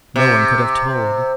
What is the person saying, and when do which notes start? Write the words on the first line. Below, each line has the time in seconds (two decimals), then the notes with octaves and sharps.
No one could have told.
0.16 C3